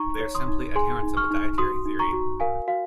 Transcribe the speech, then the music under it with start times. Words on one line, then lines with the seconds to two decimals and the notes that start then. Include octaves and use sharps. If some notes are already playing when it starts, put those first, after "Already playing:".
They are simply adherents of a dietary theory.
Already playing: D#4 A#5 C#6
0.20 C#5
0.35 C6 D#6
0.48 D#4
0.75 G#4 G#5 C6
1.03 D#4
1.17 C#6 F6
1.31 D#4
1.58 F#4 C6 D#6
1.86 D#4
1.99 A#5 C#6
2.13 F#4
2.40 A#4 F5 G#5
2.67 F#4 F5